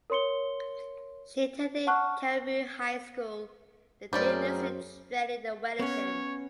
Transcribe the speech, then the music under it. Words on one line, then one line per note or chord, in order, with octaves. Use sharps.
She attended Karamu High School, then did nursing training in Wellington.
A#4 C#5 C6 C#7 G7
F#5 A5 C#6 F6 F#6
F#2 F#3 G3 A3 G#4 A#4 C5 D5
B3 C#4 C#5